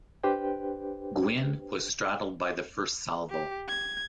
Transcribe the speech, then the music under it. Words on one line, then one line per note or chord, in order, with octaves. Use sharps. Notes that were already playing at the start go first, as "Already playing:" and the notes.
"Gwin" was straddled by the first salvo.
D4 G4 B4 C5 G5
G4
G#6